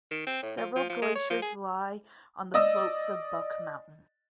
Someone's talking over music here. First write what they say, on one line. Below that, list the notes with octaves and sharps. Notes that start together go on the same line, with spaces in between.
Several glaciers lie on the slopes of Buck Mountain.
D#3
C4
A2
F3
F3
F3
G#3
C#5
F3
G#4
D5 D#5 D#6 E6